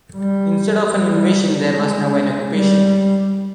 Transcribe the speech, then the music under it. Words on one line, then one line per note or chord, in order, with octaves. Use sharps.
Instead of an invasion there was now an occupation.
G3
G3
G#3
G3